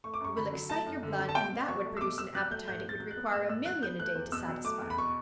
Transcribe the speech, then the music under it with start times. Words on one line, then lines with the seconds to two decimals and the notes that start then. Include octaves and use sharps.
You will excite your blood, and that would produce an appetite it would require a million a day to satisfy.
0.04 A3 C#6
0.14 D6
0.20 F#2 C#6
0.37 D3 B5
0.53 F#3
0.70 A3 A5
0.86 F#2
1.03 D3
1.19 F#3
1.29 A5
1.35 B2 G5
1.52 B2
1.68 F#3 C#6
1.85 A3
1.97 E6
2.01 B2 D6
2.18 B2 E6
2.35 F#3 F#6
2.51 A3 G6
2.68 A2 G6
2.84 A2 A6
3.00 F#3
3.11 F#6
3.17 B3
3.33 A2 E6
3.49 A2 E6
3.65 F#3 F#6
3.82 B3 G6
3.99 A3 F#6
4.15 E2
4.32 B2 E6
4.48 F#3
4.65 A3 D6
4.82 E2
4.90 B5
4.97 B2 C#6